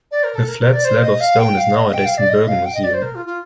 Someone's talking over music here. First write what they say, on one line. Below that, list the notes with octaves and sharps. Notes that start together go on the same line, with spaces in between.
The flat slab of stone is nowadays in Bergen Museum.
D5
A#4
A4
A#4
A#4
D5
C5
D#5
F5
G5
F5
D#5
G5
F5
D5
D#5
F5
G5
D#5
D5
C5
A#4
F4
F4